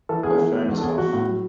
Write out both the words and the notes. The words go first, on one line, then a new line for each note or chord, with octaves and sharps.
Her phone is off.
E3 A4
E2 G#4
E3
B2
E2
A4
E2 G#4
E2 F#4
A2
F#3